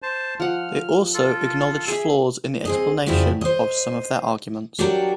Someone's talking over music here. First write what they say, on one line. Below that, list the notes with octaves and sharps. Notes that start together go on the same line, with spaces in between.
They also acknowledged flaws in the explanation of some of their arguments.
C5 A5
F3 F#5 F6
F4 A4
G#4 E5
C4 G#4 D#5
F2 C#3 C4 D4 E4 F#4
C5 D#5
F#3 D4 D#4 F#4 G4 A#4